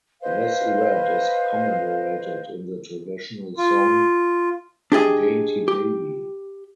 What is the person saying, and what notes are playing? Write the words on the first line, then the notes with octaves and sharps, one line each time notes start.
This event is commemorated in the traditional song "Dainty Davie".
B4 C5 D#5 F5
F4
D4 G4 G#4 D#5
G4